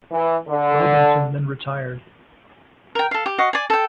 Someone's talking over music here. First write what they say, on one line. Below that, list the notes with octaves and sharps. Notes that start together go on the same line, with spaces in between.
Robinson then retired.
E3
D3
A#4 G5
A4 F5
G4
F#4 D#5 F5
D5 G#5
A4 G5